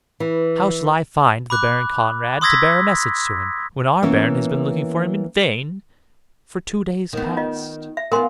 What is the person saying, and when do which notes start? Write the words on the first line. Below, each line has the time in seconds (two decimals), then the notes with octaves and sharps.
"How shall I find the Baron Conrad to bear a message to him, when our Baron has been looking for him in vain for two days past?"
0.20 E3
1.50 B5 D6 F#6
2.41 C6 D#6 E6 G#6 A#6 B6
4.03 E3 A#3 B3 C#4
7.13 D#3 B3
7.37 F4 D#5
7.97 E5
8.12 B3 F4 A#4 G#5 C6